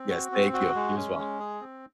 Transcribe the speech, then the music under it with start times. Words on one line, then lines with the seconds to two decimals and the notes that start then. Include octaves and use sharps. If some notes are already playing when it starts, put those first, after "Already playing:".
Yes, thank you. You as well.
Already playing: C4
0.10 F#4
0.32 C4
0.53 F#4
0.75 G#3
0.97 C#4
1.18 G#3
1.40 G#4
1.61 C4